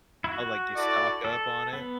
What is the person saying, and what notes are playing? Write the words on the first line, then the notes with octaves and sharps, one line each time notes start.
Oh, like, you stock up on it?
E4
F#4
E4 A4 D5
A4
B3